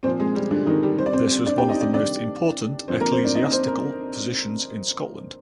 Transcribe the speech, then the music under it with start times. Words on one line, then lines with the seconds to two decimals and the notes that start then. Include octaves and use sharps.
This was one of the most important ecclesiastical positions in Scotland.
0.03 A#2 F3 C4 C5
0.20 G#3 G#4
0.35 G3 G4
0.51 D3 D4
0.66 D#3 D#4
0.83 G3 G4
0.98 C3 C5
1.01 G3 D5
1.13 C4 C5
1.46 D4 D5
1.58 G4 G5
1.69 D#4 D#5
1.81 D4 D5
1.93 C3 D#3 G3 D4 D5
2.88 D3 F3 C4 C5
3.01 A#3 A#4
3.12 C4 C5
3.24 D4 D5
3.35 D#4 D#5
3.52 C4 C5
3.67 A#4